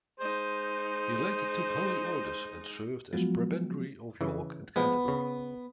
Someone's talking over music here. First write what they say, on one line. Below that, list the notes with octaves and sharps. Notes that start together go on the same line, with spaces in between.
He later took holy orders and served as Prebendary of York and Canterbury.
G#3 D#4 C5
F3 F#3 G#3 B3 F4 F#4
C#3 E3
F3 G#3 B3
C#3